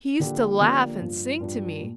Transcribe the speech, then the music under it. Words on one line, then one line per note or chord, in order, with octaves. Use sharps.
He used to laugh and sing to me....
D3 F3 A#3 D4 G4
D3 F3 A#3 D4 G4
G2 F3 D4 F4
G2 F3 D4 F4
A#2